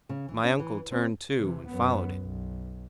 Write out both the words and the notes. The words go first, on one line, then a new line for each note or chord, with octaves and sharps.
My uncle turned too, and followed it.
C#3
E3
C#4
E3
C4
C3 E3
F#2 B3
B1